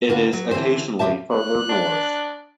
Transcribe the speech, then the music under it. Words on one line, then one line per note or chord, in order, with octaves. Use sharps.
It is occasionally farther north.
D3 F4 F#4 B4
F#3
D3 E3 C4 G4 C5
F2 D3 G4 E5 A5
F#6
D4